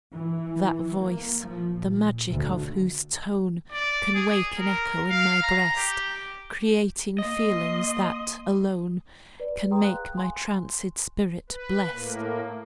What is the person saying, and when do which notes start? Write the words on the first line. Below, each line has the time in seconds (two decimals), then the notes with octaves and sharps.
That voice, the magic of whose tone Can wake an echo in my breast, Creating feelings that, alone, Can make my tranced spirit blest.
0.13 E3
1.00 A#3
1.43 F3
1.79 A#2
2.29 D2
3.72 D5
4.15 G#4
4.59 A#4
5.10 F5
5.42 A#5
5.76 G4
7.18 A#3 D#5 C6
9.40 B4 D5
9.71 G#4 B4 G5 A#5 C6 D#6
9.84 F5 F#6
10.17 G#5 C6
11.50 B4
11.91 A2 A#3